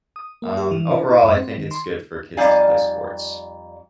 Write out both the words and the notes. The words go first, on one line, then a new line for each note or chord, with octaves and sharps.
um, overall I think it's good for kids to play sports.
D#6
A#3
G4
E3
C3
E4
F#2
C4
D#3
C6
F2 G3 D#4 D5 F5 G#5